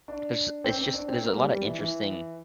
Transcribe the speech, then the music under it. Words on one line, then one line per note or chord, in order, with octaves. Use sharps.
there's it's just, there's a lotta interesting
D4
C4
C4
D4
C4
A#3
G3
G3
E3
E3